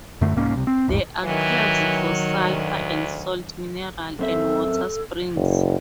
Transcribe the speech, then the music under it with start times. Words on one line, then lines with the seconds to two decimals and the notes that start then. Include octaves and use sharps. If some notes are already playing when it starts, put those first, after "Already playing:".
There are caves for sulphur and salt mineral, and water springs.
0.21 F#2 D3 A3
0.36 C2 G#2 A#3 C#4
0.53 C2 C3
0.67 C4
0.88 A1 E2 G#2
1.24 D#3 E3 F#3
2.39 D2
4.19 F#2 C4 A4 E5
5.36 F#1